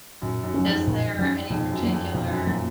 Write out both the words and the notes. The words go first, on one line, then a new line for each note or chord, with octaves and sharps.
Is there any particular
F#2 A#2
F#2
C#4
F#3
F2 G#2
A#2
F#3 C#4
F2 G#2 B2
F#2
F#3 A#3
F2
F2 B2
F#2
A#2 F#3 A#3